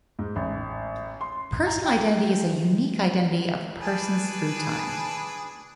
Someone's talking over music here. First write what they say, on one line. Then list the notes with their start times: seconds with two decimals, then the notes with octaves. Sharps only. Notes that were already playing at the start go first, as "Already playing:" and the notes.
Personal identity is the unique identity of persons through time.
0.19 G#2
0.36 A1
1.21 C6
1.67 A#5
1.85 G5
3.80 D4 G#4 B4